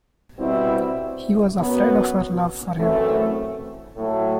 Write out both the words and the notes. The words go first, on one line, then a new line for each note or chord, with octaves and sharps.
He was afraid of her love for him.
B2 G3 C4 E4
F#2 F#3 B3
F#2 E3 A3 C4
A2 F#3 A3